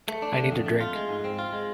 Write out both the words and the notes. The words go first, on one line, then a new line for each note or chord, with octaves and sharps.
I need a drink.
A3
D4
D3
F2
A3
F4
G#3
G#2
C4
F4
G#3